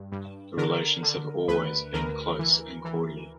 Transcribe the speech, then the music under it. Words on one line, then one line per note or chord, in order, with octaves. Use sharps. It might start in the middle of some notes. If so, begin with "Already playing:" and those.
The relations have always been close and cordial.
Already playing: G2
G2
D3 A#4
D3
D2 B4
D2 A#4
E3
E3